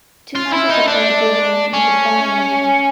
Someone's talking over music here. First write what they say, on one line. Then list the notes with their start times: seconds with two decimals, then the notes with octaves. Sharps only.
Two matches occurred during the Buy In.
0.35 F4
0.53 E4
0.70 D#4
0.88 D4
1.73 C#4